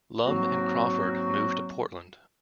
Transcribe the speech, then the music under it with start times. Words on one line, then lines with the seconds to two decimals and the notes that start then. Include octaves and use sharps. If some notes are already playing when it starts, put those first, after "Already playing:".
Lum and Crawford moved to Portland.
0.25 G#2 F#3 A#3 C4 F#4